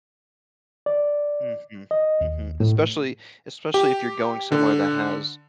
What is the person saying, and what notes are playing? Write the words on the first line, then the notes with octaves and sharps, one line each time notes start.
Mhm. Mhm, especially especially if you're going somewhere that has,
D5
D#5
D#2
A2
G4
D3